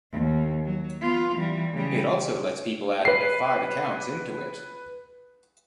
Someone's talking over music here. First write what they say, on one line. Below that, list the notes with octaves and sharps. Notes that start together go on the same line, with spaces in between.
It also lets people add up to five accounts into it.
D#2
F#3
B3 F4
E3 G3
C#3 G3
B4 C7